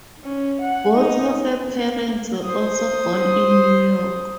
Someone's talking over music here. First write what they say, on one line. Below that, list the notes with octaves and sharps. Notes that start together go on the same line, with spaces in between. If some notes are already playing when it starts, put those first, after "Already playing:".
Both of her parents were also born in New York.
C#4
F#5
D#4
C5 D#6